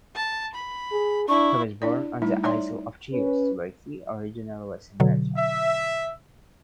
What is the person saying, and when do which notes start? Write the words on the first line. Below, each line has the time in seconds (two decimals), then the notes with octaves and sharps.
He was born on the isle of Chios, where he originally was a merchant.
0.15 A5
0.55 B5
0.92 G#4
1.28 D4 E4 C#6
1.82 D4 E4 D5
2.22 G3 A3 D#4 E4
2.44 D#4 C#5 D5 E5 C6
3.13 C#4 B4
5.00 B2 D3 F#3
5.37 E5